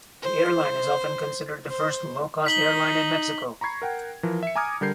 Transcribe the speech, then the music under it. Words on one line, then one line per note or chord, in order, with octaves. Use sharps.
The airline is often considered the first low-cost airline in Mexico.
C5
C5
D#4 B6 F#7 G7
A#5 B5 C#6 G#6 C7
A#4 F#5 G5
E3 F3 A#4
E5 C#7
G#5 A#5 D6 D#6 F6 G#6
D3 G3 A#4 G6 C7